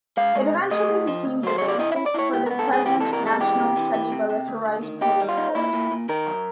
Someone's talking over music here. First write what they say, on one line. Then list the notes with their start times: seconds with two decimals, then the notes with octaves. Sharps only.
It eventually became the basis for the present national semi-militarised police force.
0.17 G#3 F5
0.36 G#3
0.53 C3
0.71 A3 D#5
0.90 A2
1.07 F3
1.25 D2
1.43 F#3 C5
1.58 C3 C#5
1.68 D5
1.79 E4 D#5
1.92 E5
1.96 E4
2.06 D5
2.14 E4 C#5
2.33 C#2 G4
2.46 A#4
2.51 B3
2.59 A4
2.68 C#2
2.73 G#4
2.86 E3 G4
3.00 A4
3.05 C3
3.13 A#4
3.23 G#3 A4
3.40 E3 G4
3.58 C3
3.76 E3
3.94 E3
4.12 C3
4.30 C3
4.48 D2
4.66 D2
4.83 D#3
5.01 D#4 G4
5.20 G3
5.29 F4
5.38 D#4
5.55 A#2 E4
5.73 A#2
5.91 A#2
6.09 D#3 A#4
6.26 F#2